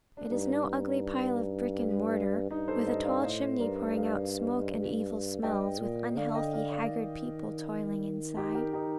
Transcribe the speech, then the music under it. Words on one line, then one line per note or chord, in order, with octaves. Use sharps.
It is no ugly pile of brick and mortar, with a tall chimney pouring out smoke and evil smells, with unhealthy, haggard people toiling inside.
D4
G2 D#4
D4
G2 D#4
A4 C5
C5 D#5
D5 F5
A2 C5 D#5
G2 A#4 D5
D5 F5
G2 D#5 G5
A#2
D3 D5 F5
D#5 G5
D5 F5
D5 F5
D#3
D#4 G4
G4 A#4
D#4 G4